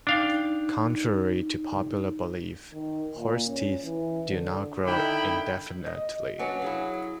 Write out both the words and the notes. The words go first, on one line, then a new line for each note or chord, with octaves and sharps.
Contrary to popular belief, horse teeth do not "grow" indefinitely.
D4 D#4 F5 G5
D#3
A#2
C#4
E3
D3
D3 D#3 D#4 E4 G5 B5
D#5
F#3 C#4 D4 B4
E4 G#4 F5